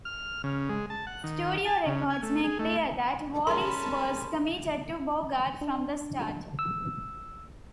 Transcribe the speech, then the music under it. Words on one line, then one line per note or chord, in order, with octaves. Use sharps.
Studio records make clear that Wallis was committed to Bogart from the start.
F6
C#3
G#3
A5
F#5
D#3
A5
C#3
G#5
A3
G#4
A3
G3 G#3 C#4 G#4 A#4 A5 B5 C6
D4
E6